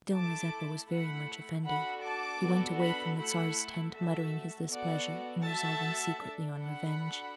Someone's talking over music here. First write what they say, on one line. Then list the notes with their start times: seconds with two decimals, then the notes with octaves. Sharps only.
Still, Mazeppa was very much offended. He went away from the Czar's tent muttering his displeasure, and resolving secretly on revenge.
0.13 A3 E4 A4 A5 D6
0.89 A3 E4 A4 F#5 B5
1.65 D4 F#4 A4 F#5 B5
2.03 A5 D6
2.41 B3 D4 F#4 A4
2.79 F#5 B5
3.17 A3 E4 A4 F#5 B5
3.93 A3 F#4 A4 E5 A5
4.69 B3 F#4 A4 D5 F#5
5.45 A3 F#4 A4 E5 A5
6.21 D4 A4
6.59 F#5 B5
6.97 D4 F#4 A4